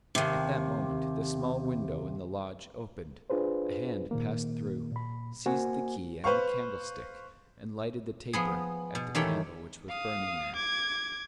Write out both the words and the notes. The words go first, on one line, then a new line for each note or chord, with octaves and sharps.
At that moment the small window in the lodge opened, a hand passed through, seized the key and the candlestick, and lighted the taper at the candle which was burning there.
D#2 C3
D4 F4 G#4 B4 C5
A#2 D#3 A#3
A#2 B5
A#3 F#4 C5 G#5
B4 C5 F5 C#6
F3 B3 G#4
B2
E2 D#3 A3 G4 C#5 G5
F5 D#6
D6 G#6